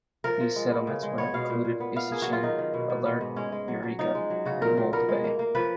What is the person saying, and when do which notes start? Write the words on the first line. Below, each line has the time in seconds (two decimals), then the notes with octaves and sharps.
These settlements would have included Isachsen, Alert, Eureka, and Mould Bay.
0.24 F3 A#4
0.41 F3
0.56 G#3
0.72 B3
0.87 C#3
1.03 G#3
1.18 B3 C#5
1.34 B2 F5
1.50 A#2
1.65 A#2
1.80 B3
1.96 B3 F5
2.12 A#3 G#4
2.22 F#3 F#4
2.33 F4
2.43 D#3 D#4
2.58 D#3
2.74 B2
2.90 B2
3.05 B3
3.21 G#2
3.36 G#3 C#4
3.52 G#3
3.68 F#3
3.83 F#3
3.99 F3 D#4
4.15 G#3
4.30 F#3
4.45 C#3 F#4
4.61 A#2 A#4
4.77 A#2
4.93 B3 A#4
5.09 G#3
5.24 A#3
5.39 A#3
5.55 F3 B4